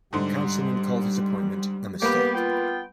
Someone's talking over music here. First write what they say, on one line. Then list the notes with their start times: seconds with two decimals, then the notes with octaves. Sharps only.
A councilman called his appointment "a mistake".
0.13 G#2 D3 G3
2.02 A#3 B3 G4 B4
2.35 B3 F4 G5